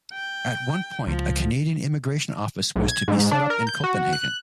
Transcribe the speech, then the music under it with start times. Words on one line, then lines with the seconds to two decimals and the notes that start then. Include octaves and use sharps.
At one point, a Canadian immigration office was to be set up in Copenhagen.
0.13 G5
1.07 C#2 F3
2.76 B1
2.89 G#6
3.08 G#2
3.31 D4
3.50 A#4
3.67 G6
3.84 F#4
4.13 F#6